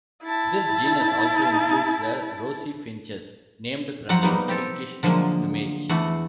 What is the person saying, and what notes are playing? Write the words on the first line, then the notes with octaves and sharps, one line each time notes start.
This genus also includes the rosy finches, named from their pinkish plumage.
E4 A5
F2 F#3 C4 F#5 A#5
G3 A#3 B3 D#4
C4 G4 A4
D3 F3 F#3 G#3 A#3
E2 A3 F#5